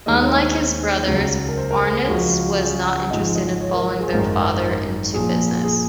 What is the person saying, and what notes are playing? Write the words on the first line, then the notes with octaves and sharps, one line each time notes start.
Unlike his brothers, Ornitz was not interested in following their father into business.
D#2 D#3 G#3 D#5
C#5
C5
C#2 C#3 F#3
A#4
C5
A#4
G#4
C#2 C#3 F3 G#3 F#4
G#4
F#5
G#1 G#2 F3 G#3 D#5
D#5
C#5
A#4
G#4
G#1 F#2 D#3 G#3 A#4
A#1 A#2 F3 G#4
G#4